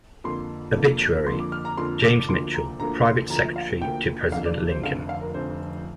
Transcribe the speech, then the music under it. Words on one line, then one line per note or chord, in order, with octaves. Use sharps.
Obituary: James Mitchell, Private Secretary to President Lincoln.
F2 D3 F3 A#3 C6
F2 D3 F3 A#3
F2 D3 F3 A#3 C6
D6
F6
A#5
F2 D3 F3 A#3 C6
D6
D2 D3 F3 A#3 C6
A#5
D2 D3 F3 A#3 A#5
C6
D2 D3 F3 A#3 A#5
F5
D2 D3 F3 A#3 G5
F1 F2 D3 F5
D5
C5
F1 F2 D3 F5
F5
A#4
F1 F2 D3 C5